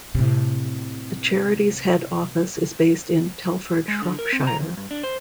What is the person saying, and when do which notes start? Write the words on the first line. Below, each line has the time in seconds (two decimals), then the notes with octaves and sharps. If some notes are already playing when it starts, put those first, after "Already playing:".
The charity's Head Office is based in Telford, Shropshire.
0.15 A2 C3
3.88 G#3
4.02 D3
4.19 A#4
4.33 C4
4.47 A#5
4.61 F2
4.77 G2
4.91 D4
5.03 C5